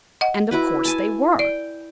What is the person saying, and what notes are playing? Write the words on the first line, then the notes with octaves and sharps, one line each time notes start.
And of course they were.
D#5 F#5
E4 F#4 B4
G#5 A5
D5 G5